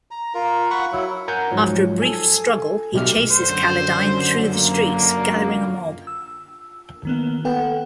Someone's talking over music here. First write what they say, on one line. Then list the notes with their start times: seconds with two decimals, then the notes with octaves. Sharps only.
After a brief struggle, he chases Kaledine through the streets, gathering a mob.
0.11 A#5
0.34 F4 A#4
0.70 F#5 B5 C#6
0.92 F#3 E4
1.28 A#4 F#5 G#5 A#5 G6
1.51 G#2 F3 F#3
2.02 A4 G#5
2.93 B1 B2 A3 G4 F6
3.32 F#2 D3 C5
4.54 A#3
6.07 E6
7.05 D#3 A#3 B3
7.45 B3 A4 B4 F#5 G5